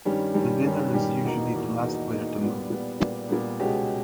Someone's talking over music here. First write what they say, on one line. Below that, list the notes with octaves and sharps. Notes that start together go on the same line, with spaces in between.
The winner is usually the last player to move.
G2 D#3 G3 C#4 G4
G2 D#3 G3 C#4 G4
G2 D#3 G3 C#4 G4
G2 D#3 G3 C#4 G4
E2 B2 A#3 D#4
E2 B2 A#3 D#4
E2 B2 A#3 D#4
E2 B2 A#3 D#4
A#2 G3 B3
A#2 G3 B3
A#2 G3 B3
A#2 G3 B3
C#2 B2 G#3 C#4 G4